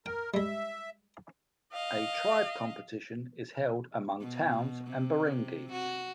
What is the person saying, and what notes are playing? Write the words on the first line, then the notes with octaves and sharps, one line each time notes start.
A tribe competition is held among towns and barangays.
A#4 G5
G3 G#3 E5
D#5 F5
B2
C3
F#4